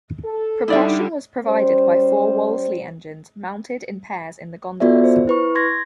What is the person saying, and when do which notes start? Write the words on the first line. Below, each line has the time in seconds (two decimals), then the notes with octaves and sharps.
Propulsion was provided by four Wolseley engines, mounted in pairs in the gondolas.
0.23 A4
0.68 D3 G3 D#4 E4 D5 E5
1.46 G3 C#4 C5
4.80 B3 F4 F#4 A4 D5 E5
5.04 C5
5.27 E4 B4 C#6
5.55 C6 G#6 A#6